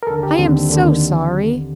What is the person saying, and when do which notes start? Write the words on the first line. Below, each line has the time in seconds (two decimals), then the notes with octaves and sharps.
"I am so sorry!"
0.03 A#4
0.07 D#2 D3 A4
0.23 G4
0.38 D#2 D3 C4
0.70 D#2 D3